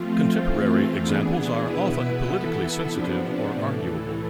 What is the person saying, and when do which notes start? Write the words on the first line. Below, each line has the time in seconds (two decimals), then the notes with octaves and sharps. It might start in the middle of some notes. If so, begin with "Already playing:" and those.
Contemporary examples are often politically sensitive or arguable.
Already playing: F3 A3 C4 F4
0.38 E3 A3 C4 F4
1.01 E3 B3 D4 G#4
1.64 E2 B2 B3 E4 B4
2.25 E3 B3 E4 A4
2.88 C3 F3 B3 D4
3.50 A2 E3 A3